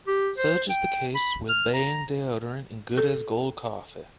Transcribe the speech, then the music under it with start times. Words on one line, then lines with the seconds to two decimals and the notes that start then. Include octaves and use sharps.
Such is the case with Ban Deodorant and Good as Gold Coffee.
0.08 G4
0.38 C5
0.70 G5
1.15 B5
1.49 F6
1.74 A#5
2.98 A4